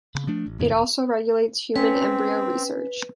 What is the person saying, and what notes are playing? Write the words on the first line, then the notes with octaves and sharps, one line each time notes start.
It also regulates human embryo research.
C#3
F3 A3 D4
A1
F2 A2 C#3 E3
E1
C4 C#4 B4